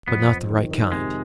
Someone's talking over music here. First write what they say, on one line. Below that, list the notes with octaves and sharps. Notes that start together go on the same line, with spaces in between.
But not the right kind.
F2 B3
F2
D#3
D#3
C3 G#3